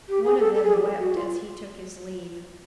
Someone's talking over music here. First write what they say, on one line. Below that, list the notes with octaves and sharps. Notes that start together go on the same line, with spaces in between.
One of them wept as he took his leave.
G4
G#4
A4
A4
G#4
G4
F#4
F4